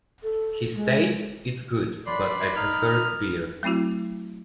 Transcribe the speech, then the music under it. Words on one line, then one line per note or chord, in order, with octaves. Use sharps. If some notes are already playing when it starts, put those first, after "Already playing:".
He states It's good, but I prefer beer.
A4
G#3
F#2 D4 D5 B5 C6
D#4 F6
F#3 A3 C4 E4 F#4